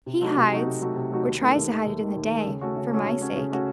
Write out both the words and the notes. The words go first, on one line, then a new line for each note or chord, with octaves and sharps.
He hides, or tries to hide, it in the day, for my sake.
C3
F#3 A3 D#4 F#4
C3
F#3 A3 D#4 F#4
C3
F#3 A3 D#4 F#4
C3
F#3 A3 D#4 F#4
D#2
D#3 A3
D#2
D#3 A3
D#2
D#3 A3
D#2
D#3 A3
C#3
A3 C#4 F#4
C#3
A3 C#4 F#4
C#3
A3 C#4 F#4
C#3
A3 C#4 F#4